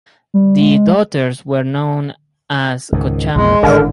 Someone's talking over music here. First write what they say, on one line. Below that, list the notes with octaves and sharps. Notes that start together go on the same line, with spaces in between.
The daughters were known as "Kochammas".
G3
G#3
C#2 G#2 D#3
A#1 E2 C3 G#3 C6
G#1 A2 D3 A#4